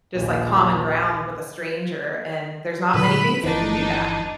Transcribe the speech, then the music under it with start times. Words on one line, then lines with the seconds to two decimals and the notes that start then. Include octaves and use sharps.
just, like, common ground with a stranger, and there's not many things that can do that.
0.14 A#1 D#2
2.94 A#2 D3 F#3 B4 B5
3.43 G1 F2 E3 D4 D#4